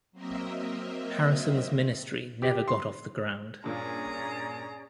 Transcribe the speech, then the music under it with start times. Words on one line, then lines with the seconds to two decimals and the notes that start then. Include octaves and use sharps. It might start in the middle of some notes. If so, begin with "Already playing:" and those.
Harrison's ministry never got off the ground.
0.12 F#3 A#3 C4 A#4 D#5 E5
2.42 G4
2.68 C6
3.64 G2 A#2 C#4 F4 G#4 D5 A#5